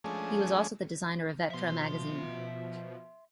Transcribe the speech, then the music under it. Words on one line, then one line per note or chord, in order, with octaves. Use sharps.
He was also the designer of Vetro Magazine.
F3 G#3 A3 C#4 D4 G#4
B2 F3 E5 C6